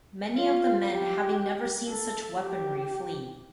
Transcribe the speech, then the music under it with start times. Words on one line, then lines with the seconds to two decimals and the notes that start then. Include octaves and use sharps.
Many of the men, having never seen such weaponry, flee.
0.37 F4
0.88 G4
1.88 A4
2.39 G4